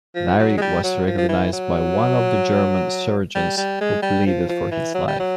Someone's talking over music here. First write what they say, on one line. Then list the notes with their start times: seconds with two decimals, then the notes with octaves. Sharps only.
Larrey was recognized by one of the German surgeons, who pleaded for his life.
0.15 F3
0.39 F#3
0.57 G#3
0.62 G3
0.84 F#3
1.07 F3
1.18 F3
1.29 E3
1.53 F#3
3.35 G3
3.57 G3
3.81 G#3
4.03 G3
4.26 F3
4.49 F3
4.71 E3
4.94 F#3
5.08 G3
5.20 F#3